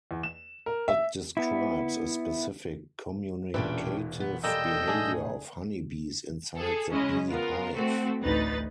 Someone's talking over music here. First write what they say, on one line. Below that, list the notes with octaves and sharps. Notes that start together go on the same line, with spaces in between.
It describes a specific communicative behavior of honey bees inside the bee hive.
E2
E7
A#4
E5
B3 E4
E1 A#2 C#4 D4 G4 B4 E5
B3
G3 G#3 A#3 A4 D#5 G5 E6 G6
A2 D4 G#4
G#4 A4
C#3 G#3 C#4 E4 D#5
B3 F4 A#4
A3 C4 F#4 A4
A1 D2 D#4 B4 A6